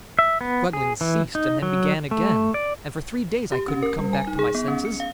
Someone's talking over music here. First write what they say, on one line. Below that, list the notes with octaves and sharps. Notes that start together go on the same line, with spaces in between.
The struggling ceased and then began again, and for three days I couldn't come back to my senses.
E5
B3
G#4
E3
D#4
F#3
A3
D5
G4
C#4
A#4
G3
G#5
D#4
G#4
B3
C#4
C#7
F5